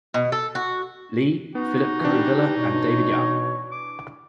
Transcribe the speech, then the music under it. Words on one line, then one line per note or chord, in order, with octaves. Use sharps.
Lee, Philip Kuruvilla and David Yah.
B2
A4
F#4
B3 D#4 F#4
E3 D4 G4
B2 C#5
D6